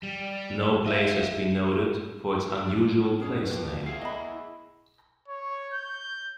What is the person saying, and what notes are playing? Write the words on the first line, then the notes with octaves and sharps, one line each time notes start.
No Place has been noted for its unusual place name.
G3
D#5 E5
D4
G2 C3 C#4 G#4 C#5
F2 F4 G4 B4
E4 G#4 F5
D#5 B5
C#5
G6